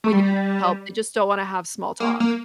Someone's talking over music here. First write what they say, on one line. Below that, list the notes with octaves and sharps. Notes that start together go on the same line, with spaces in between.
when you need help, they just don't wanna have small talk.
A3
G3
A#3
A#3